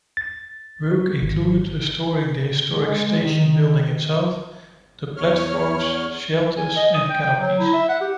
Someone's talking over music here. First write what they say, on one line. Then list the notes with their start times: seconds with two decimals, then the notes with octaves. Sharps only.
Work included restoring the historic station building itself, the platforms, shelters, and canopies.
0.17 A6
0.91 F#4
1.22 G#1
2.73 G#3
3.20 D#3
5.16 E2 C#5 F6
6.57 G#5
6.76 D#5
6.95 D#6
7.09 G5
7.22 G5
7.40 F#3
7.59 E4
7.73 E5
7.89 F#5
8.01 G4